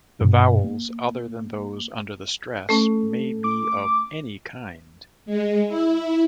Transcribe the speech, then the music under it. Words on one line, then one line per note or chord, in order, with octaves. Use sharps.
The vowels other than those under the stress may be of any kind.
G2 B2
A#3
A3 C#4 A4
D6
G#3
E4